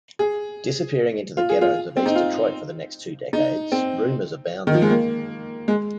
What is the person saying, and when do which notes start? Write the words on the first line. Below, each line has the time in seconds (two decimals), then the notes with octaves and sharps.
Disappearing into the ghettos of East Detroit for the next two decades, rumors abounded.
0.19 G#4
1.37 F4
1.49 G#4
1.61 F4
1.97 C4
2.06 D#4
2.15 F4
3.33 D#4
3.72 C4
4.67 D#3
4.74 F3
4.82 G#3
4.90 A#3
5.68 G#3